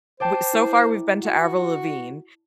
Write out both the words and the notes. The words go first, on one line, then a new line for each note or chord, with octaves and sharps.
w so far we've been to Avril Lavigne,
C5 D5 G5 A5
E4
F#4